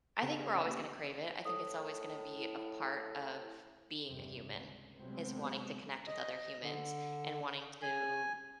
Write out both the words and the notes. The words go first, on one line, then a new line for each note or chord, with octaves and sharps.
I think we're always gonna crave it, I think it's always gonna be a part of being a human, is wanting to connect with other humans and wanting to
C#3 B3 G4 A4
B3 D4 G#4 A4
C#3 C#4
A#3 C#4 G4
A2 D#6
E4
E2 G2 C3
C#2
C3 F#3 G#3 A3 B3 C4
D#5
D3
G#5